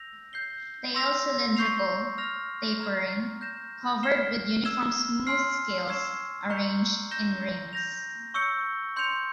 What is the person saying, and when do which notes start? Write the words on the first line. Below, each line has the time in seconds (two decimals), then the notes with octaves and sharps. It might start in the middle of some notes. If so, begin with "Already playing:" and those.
Tail cylindrical, tapering, covered with uniform smooth scales arranged in rings.
Already playing: E6 G6 A#6 F7
0.33 G6 C7 G7
0.94 C6 E6 A#6 F7
1.56 C#6 G6 C7 F7
2.18 F6 A#6 F7
2.80 A#5 F6 G#6
3.41 G6 A#6 E7
4.03 F6 C7 E7 G7
4.65 E6 G#6 E7 G7
5.27 G#5 C6 F6 C7
5.88 C#6 E6 G#6 C7 E7
6.50 A#5 C#6 G6 C#7 F7
7.11 G6 A#6 E7 G7
7.73 G6 A#6 F7
8.34 C#6 E6 G6 C#7 G7
8.96 C6 G6 C#7 F7